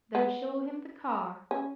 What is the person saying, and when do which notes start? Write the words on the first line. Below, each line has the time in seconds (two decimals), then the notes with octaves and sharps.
Then show him the car.
0.15 B3
1.51 C#4